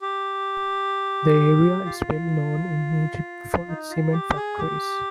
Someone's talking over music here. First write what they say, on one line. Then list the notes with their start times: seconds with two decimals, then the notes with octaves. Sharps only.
The area is well known in Egypt for its cement factories.
0.01 G4
1.85 F4
3.68 D#4
3.90 F4
4.13 G4
4.36 G#4
4.58 G4